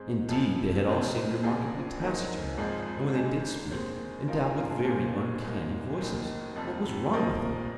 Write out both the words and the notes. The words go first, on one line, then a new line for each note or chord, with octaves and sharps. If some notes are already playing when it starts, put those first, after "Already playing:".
Indeed, they had all seemed remarkably taciturn, and when they did speak, endowed with very uncanny voices. What was wrong with them?
Already playing: G#2 G#3 C4
F2 C3 F3 C4 G#4
F1 D#2 D#3 G#3 C4
A#1 A#2 F3 G#4
F2 D#3 C4 D#4
G#1 G#2 F3 G#3 C4
G#1 G#2 G#3 G#4
D#2 D#3 G#3 C4
G#2 F3 C4 D#4 F4 A#4
G#4
F4
G#4
D#2 D#3 A#3 G#4 C5
C2 A#2 A#3 D#4
F1 D#2 D#3
F1 F2 F3
C2 A#2 F3 A#3 A#4 D#5